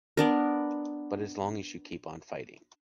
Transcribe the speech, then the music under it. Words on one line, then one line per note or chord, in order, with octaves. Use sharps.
But as long as you keep on fighting.
B3 D4 A#4